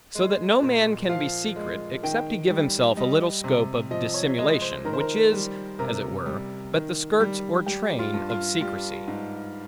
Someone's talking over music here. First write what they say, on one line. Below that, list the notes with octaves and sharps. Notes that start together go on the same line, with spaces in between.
So that no man can be secret, except he give himself a little scope of dissimulation; which is, as it were, but the skirts or train of secrecy.
G#3
A#2
F3 F5
G#3
D#3 G5
G3
G3 D#5
C3
F3 D#5
C#5
G#3 D#5
C5
D#3 A#4
C5
A#4
G3
C3 A#4
G3
D#3
G3
G3 G4
F4
G2
F4
G3 F4
G#2